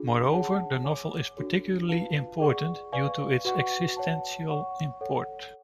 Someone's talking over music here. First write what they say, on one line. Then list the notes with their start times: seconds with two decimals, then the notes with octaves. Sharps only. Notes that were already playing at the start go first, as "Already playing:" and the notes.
Moreover, the novel is particularly important due to its existential import.
Already playing: D4 F4 G#4
0.32 G#4 C#5 F#5 A5
0.84 C#5 G#5 D6
1.37 D4 F#4 A4 C#5
1.88 F4 B4 F5 A5
2.40 G#4 D5 F#5 C#6
2.92 B4 D5 F5 G#5 C#6
3.45 F#4 B4 F#5 C#6
3.97 C#5 F#5 A5
4.49 C#5 F#5 C#6
5.01 A4 C#5 F#5